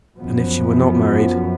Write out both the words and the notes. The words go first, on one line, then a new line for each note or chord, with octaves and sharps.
"And if she were not married?"
F#2 F3 B3